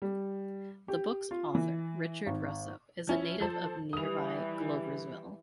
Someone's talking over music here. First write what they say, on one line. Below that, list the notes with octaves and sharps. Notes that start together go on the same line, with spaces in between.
The book's author, Richard Russo, is a native of nearby Gloversville.
G3
G4
F4
E3
G#1
F3 C#4 E4
F3 A4 C5
E3 G3 D#6 F7